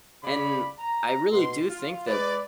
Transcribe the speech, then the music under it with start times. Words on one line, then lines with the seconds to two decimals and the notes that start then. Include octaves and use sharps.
And I really do think that
0.23 C#3 D5 B5
0.78 A#5
1.31 B2 C6
1.68 F4
2.06 G#3 B4 D5